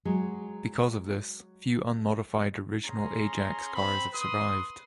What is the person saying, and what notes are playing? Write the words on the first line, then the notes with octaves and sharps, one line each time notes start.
Because of this, few unmodified original Ajax cars have survived.
F#3 G#3 G#4
C#4 G#4 A#5 C6
C4 B5
B4 C6 D#6